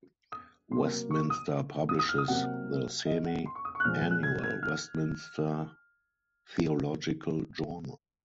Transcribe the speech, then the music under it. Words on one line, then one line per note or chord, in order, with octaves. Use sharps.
Westminster publishes the semi-annual "Westminster Theological Journal".
D#6
C3 F#3 A#3 C6
C#6
D#6
D#6
D#6
F6
D#6
C3 F#3 A#3 F#5
D#5
F#5
C6
C#6
D#6
C#6
F#6
A#2 F3 G#3 F6
F#6
G#6
G#6
F6